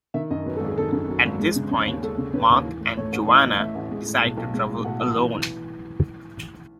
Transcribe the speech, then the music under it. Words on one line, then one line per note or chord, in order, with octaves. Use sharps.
At this point Mark and Joanna decide to travel alone.
D#3 E5
F#2 D#5
F#3 B4
A4
G#1
G#4
D#3 A4
F#2
F#3
G#1
G#3
C#3
C#4
D#2
G#3 A4
C#3
C#4 B4
D#2
E3
A2
A3 C#5
A1
E3 D#5
A2
A3 E5
A1
G#3
A2
B1
B1
G#3
A2
B1 F#5
B1
E3